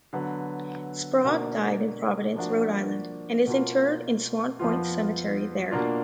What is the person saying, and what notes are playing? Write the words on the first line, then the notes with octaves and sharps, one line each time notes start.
Sprague died in Providence, Rhode Island, and is interred in Swan Point Cemetery there.
D3 F#3 B3
B2 A#3 D4
F3 A#3 D4 F#4
B2 A#3 F4
F2 F3 B3 F4
B2 A#3 D4 F4